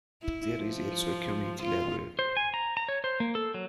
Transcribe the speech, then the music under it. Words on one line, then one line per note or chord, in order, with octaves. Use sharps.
There is also a community library.
E4
F3
F4
C5
G#5
A#5
A#5
C#5
C5
A#3
A4
F#3